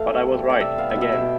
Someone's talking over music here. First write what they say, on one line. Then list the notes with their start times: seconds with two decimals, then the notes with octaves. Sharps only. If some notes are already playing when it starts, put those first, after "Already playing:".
But I was right - again!
Already playing: E3 A3 E4 A4 F5
0.09 C4
0.26 G3
0.44 C4
0.50 D5
0.60 C3 E5
0.78 B3 F5
0.90 E5
0.96 B2
1.01 E5
1.12 B2 G5